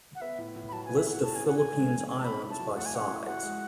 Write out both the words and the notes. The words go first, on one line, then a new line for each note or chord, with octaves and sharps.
List of Philippines islands by size.
F#5
B3 E5
A2
A2
B5
F#3 A5
B3 G#5
E5
A2 F#5
C#4 A5
G#4 G#5
F#5
E3 G#5
G#3
C#4
G#4
A5
C#4 B5
E4
A5
F#3
A3 F#5
G#5
C#4 F#5
E4
F#4 F#5
G#3